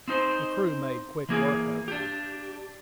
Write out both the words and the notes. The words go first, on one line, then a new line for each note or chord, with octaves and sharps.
The crew made quick work of it.
C4 D#4 C5
E3 A#3 G#4
D4 G4